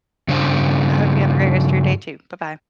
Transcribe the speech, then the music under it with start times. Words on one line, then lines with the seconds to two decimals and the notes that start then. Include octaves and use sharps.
I hope you have a great rest of your day too, bye-bye.
0.28 G2 C#3 D4 C5